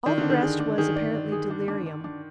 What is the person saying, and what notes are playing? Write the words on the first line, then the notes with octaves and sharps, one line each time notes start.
All the rest was apparently delirium.
D#3 D5
D3
D4
D#3
G#4
D4
D#3 G#4
D5
D5
G#4
D4
D4
D4
D4